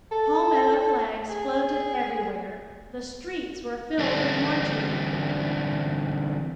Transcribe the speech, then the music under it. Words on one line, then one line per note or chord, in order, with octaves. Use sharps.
Palmetto flags floated everywhere; the streets were filled with marching men.
A4
G#4
D3 E3 G3 C4 D4